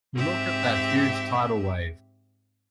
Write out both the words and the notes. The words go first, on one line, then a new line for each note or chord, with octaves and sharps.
Look at that huge tidal wave.
G#2 C4 G4 E5